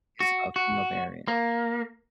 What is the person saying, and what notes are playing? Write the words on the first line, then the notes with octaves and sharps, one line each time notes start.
his, uh, female variant.
F#4
F#4
A#3